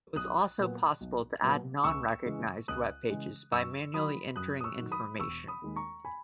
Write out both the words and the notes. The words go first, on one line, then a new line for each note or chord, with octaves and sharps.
It was also possible to add non-recognised webpages by manually entering information.
B1 D#6 F#6
A#2 F#3 B3
B1
A#2 F#3 B3
C#2 C#6 E6
C#3 E3 G#3
C#2 D#6 F#6
C#3 E3 G#3
F#2 C#6 E6
D#3 F#3 B5 D#6
F#2 D#6 F#6
D#6
C#6 E6
D#3 F#3
B5 D#6
E1 C#6 E6
B5 D#6
D#2 D#3 G#3
A#5 C#6
G#5 B5